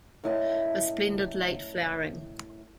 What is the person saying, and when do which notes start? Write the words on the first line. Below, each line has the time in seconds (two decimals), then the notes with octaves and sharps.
A splendid late flowering.
0.24 F#2 A2 E4 D#5 A5